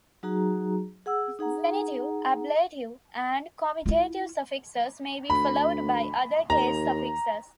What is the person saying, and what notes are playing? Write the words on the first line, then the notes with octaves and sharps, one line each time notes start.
Genitive, ablative and comitative suffixes may be followed by other case suffixes.
F#3 D#4 F#4 G#4 A#5
G#4 F#5 E6
D#4 G#4 F#5 A#5
E4 F4
D2 B5
D#2 A#5